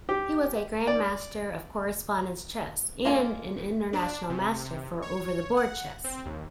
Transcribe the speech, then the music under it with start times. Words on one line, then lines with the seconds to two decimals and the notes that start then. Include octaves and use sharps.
He was a Grandmaster of Correspondence Chess and an International Master for over-the-board chess.
0.09 G4
0.87 D5
3.05 G#3 A#3 F4 A4 A#4
3.93 D4
4.30 C3
5.02 C#5
5.57 F#5
6.04 C4
6.26 D#2